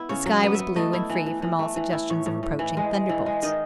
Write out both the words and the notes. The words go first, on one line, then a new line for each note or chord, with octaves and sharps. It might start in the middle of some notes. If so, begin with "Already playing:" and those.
The sky was blue and free from all suggestions of approaching thunderbolts.
Already playing: B3 E4
C#3 C#5
F#3
D#5
B3
B3 E5
A3 D#5
E4
E3
E3
E3
A3
E3
E4
A2 C#5
A2
A2
E3
G#3
G#3
E3
G#3
D#3 D#5